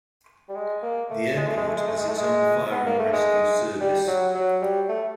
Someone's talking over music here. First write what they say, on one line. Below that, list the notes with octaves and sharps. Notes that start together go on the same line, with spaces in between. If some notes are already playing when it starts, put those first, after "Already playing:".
The airport has its own fire and rescue service.
G3
G#3
A#3
A3
G#3
A3
G#3
A3
G#3
A3
G#3
A3
G#3
B3
A#3
A3
G#3
G3
F#3
F#3
G3
A3